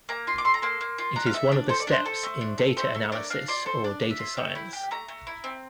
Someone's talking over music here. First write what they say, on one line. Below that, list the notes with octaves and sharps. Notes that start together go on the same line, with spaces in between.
It is one of the steps in data analysis or data science.
A#3 A#5
F4 C6
D6
A4 C6
A#5
A#3 C6
A#3
F4
D4 A#5
F5
A4 E5
D4 D5
A4 C5
D5
D4 C5
A4
A3
D4
A4
A3 C5
A3 A4
D4 A#4
D4 F5
F4 D5
A4 C5
D4 D5
D4
E5
F4
A3 G5
E4
G4
A3 A#5
A3
E4
C4